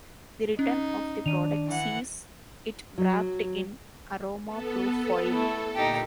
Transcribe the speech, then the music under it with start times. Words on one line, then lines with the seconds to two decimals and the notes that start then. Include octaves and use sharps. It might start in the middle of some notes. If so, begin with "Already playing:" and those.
The return of the product sees it wrapped in aroma proof foil.
0.59 C#4 D#4
1.26 D#3 D4 D#7 F7
1.66 E3 F#5
2.98 F#3
4.45 B3 A4
5.31 A3 E4 A4
5.75 A#2 D3 D#4 G4